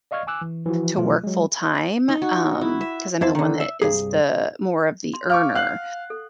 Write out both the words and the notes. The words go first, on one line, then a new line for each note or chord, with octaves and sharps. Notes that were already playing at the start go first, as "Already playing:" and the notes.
to work full time, um, 'cause I'm the one that is the more of the earner,
D5 D#5 F5 C#6 F6 G#6
G#5 D6 E6 F#6
E3
E3 F3 E4 F#4
B2 E3 F#3 A3 F4
F#3 G#3
D#4
F#4
E4
E5
F2 E4 C5 A5
D3 D#3
E5
C2 G2 G#4
C6
F5 C#6 D6 F6
F5 F#5 F#6 F#7
A4